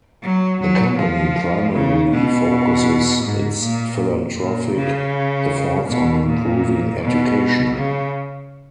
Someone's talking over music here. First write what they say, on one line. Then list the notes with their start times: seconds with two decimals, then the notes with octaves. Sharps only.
The company primarily focuses its philanthropic efforts on improving education.
0.23 F#3
0.61 F#3
0.99 F3
1.73 C#3
2.11 B2
3.24 G#2
3.62 A#2
4.37 A#2
4.75 C#3
5.88 B2
6.26 A#2
7.01 B2
7.76 C#3